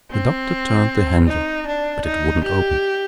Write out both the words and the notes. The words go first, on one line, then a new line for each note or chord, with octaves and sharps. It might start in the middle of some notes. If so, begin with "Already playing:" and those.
The Doctor turned the handle but it wouldn't open.
C4
D#4
D4
D#4
G4